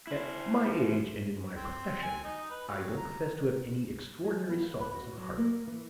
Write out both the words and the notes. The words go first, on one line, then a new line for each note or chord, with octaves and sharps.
At my age and in my profession, I don't profess to have any extraordinary softness of heart.
E4 C5
C4
G#5
D#4
B4
F#3
A#5
G#4
B3
F5
B4
F#4
F#3
A#3
E3